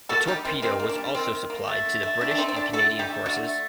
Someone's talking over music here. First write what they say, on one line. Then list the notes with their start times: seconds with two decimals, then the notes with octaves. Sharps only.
The torpedo was also supplied to the British and Canadian forces.
0.09 A#3 F#4 A4
0.27 G3 D#4 G4
0.45 D#3 C4
0.62 D#3 C4
0.80 A#3
0.89 D4
0.98 G3
1.15 D#3 C4
1.33 D#3
1.50 A#3
1.67 A3
1.85 D3
2.03 A3
2.21 D3 D4
2.31 D4
2.38 A3 C4 D#4
2.48 C4
2.56 D3 D4
2.73 A3 F#4 A4
2.91 D3
2.99 D#4 G4
3.09 A3
3.26 D3 D4 F#4
3.44 A3